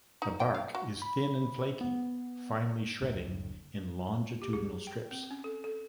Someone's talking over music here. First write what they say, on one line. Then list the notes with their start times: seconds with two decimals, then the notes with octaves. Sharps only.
The bark is thin and flaky, finely shredding in longitudinal strips.
0.22 D#4
0.40 G5
0.54 F5
0.75 F#4
1.02 B5
1.81 B3
3.02 F#1 D2 A2
4.42 G4
4.53 G#4
4.87 G5
5.11 C4
5.31 C#4
5.44 A4
5.64 A4